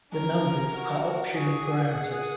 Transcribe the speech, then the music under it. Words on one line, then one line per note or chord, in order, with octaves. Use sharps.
The numbers are optional parameters.
C#4 A#4
F#4
G#4
G#4 F#5